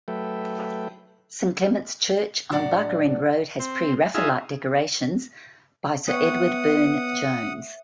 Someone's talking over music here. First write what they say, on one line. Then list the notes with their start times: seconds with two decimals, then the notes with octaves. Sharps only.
Saint Clement's Church on Barkerend Road has Pre-Raphaelite decorations by Sir Edward Burne-Jones.
0.08 F#3 A3 A4 B4 E5 G5
2.51 A2 F#3 D4 D5 F#5
3.60 C4
4.14 D#4 F4 G#4 E5
6.08 B3 C#5 E5 F#5 G5 D#6